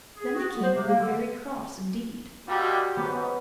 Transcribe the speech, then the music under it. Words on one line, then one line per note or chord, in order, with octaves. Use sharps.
Then the king grew very cross indeed.
G#4
F#4
B3
C5
C3
A#3
D3
D#2 G3 F#4 G4
G#2 B3 C#4